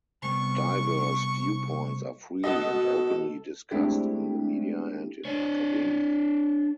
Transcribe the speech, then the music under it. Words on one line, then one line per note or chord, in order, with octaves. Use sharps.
Diverse viewpoints are freely and openly discussed in the media and in academia.
C3 G3 B3 C#6
B2 F#4 A4 D#5 F#5
G#3 A3 C4 D4 E4 G4
D4 C#5